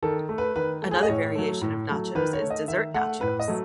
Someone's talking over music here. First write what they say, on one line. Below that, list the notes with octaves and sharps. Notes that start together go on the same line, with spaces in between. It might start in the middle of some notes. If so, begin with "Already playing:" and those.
Another variation of nachos is Dessert Nachos.
D#3 A4
A3
B4
D#3 B4
A3
G#4
D#5
A2 C#5
F#3 A3
A2
F#3 A3
D#3 B4
C#5
A3
D#5
D#3 E5
A3 F#5
A2 B4
D#5
F#3 A3